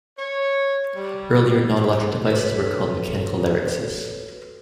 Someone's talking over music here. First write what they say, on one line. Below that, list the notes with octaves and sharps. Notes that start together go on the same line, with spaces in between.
Earlier non-electric devices were called mechanical larynxes.
C#5
G3
F#4 A4 B4 C#5